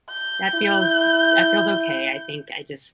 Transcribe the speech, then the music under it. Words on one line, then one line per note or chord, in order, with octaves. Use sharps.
that feels that feels okay I think I just
G6
E4